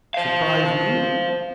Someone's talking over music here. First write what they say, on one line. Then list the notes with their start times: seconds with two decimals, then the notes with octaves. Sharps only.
"Surprise me?"
0.14 C5 F5